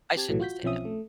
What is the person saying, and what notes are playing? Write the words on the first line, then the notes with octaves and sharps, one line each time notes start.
I shouldn't say no.
C4 G4 A5 G#6
B1 A2 E3 F#3 A3
F4 F#4 G6 B6
B1 F3 C4 C#4 E5 D#6
A3